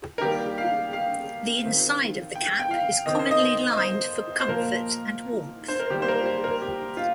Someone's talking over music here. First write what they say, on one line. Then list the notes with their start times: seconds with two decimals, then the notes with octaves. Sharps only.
The inside of the cap is commonly lined for comfort and warmth.
0.18 A#4
0.22 D#3 G3 A#3 G4
0.58 F5
0.93 F5
1.64 D#3 C4
2.36 G5
2.59 G5
2.71 F5
3.06 D#3 C4 D#5
3.19 C5
3.31 D#5
3.73 D#5
3.78 C5
4.40 C5
4.48 A#2 F3 A#3 A#4
5.68 C5
5.80 A#4
5.90 D#3 G3 A#3 G4
6.02 C5
6.08 A#4
6.26 C5
6.44 A#4
6.62 G4
6.97 F4